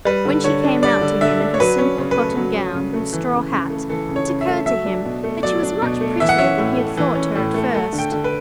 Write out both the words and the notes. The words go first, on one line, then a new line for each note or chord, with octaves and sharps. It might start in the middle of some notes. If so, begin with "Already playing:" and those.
When she came out to him in her simple cotton gown and straw hat, it occurred to him that she was much prettier than he had thought her at first.
G3 B4
D3
D3 C#5
D4
G3 D5
D3
D3 E5
D4
C#5
F#3 B4
C#4
C#3
B4
A3
F#3
C#4
C#3
A3
E3
C#3
C#3
A3
E3 A4
C#3
C#5
C#3
E5
A3
F#3 E5
D4
B2
A3
F#3 D5
D4
B2
A3
E3 E5
F#5
C#4 E5
A2
A3
E3
C#4
A2
A3
A3
D3
G5
D3
B4